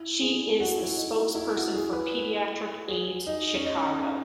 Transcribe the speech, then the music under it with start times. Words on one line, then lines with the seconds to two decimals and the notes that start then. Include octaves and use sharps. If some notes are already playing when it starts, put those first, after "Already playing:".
She is the spokesperson for Pediatric Aids Chicago.
Already playing: E4
0.21 G#4
0.60 F#4
0.78 E4
0.97 D#4
1.35 E4
1.55 F#4
1.74 G#4
1.93 B4
2.88 G#4
3.27 D#4
3.54 C#4
3.65 D#4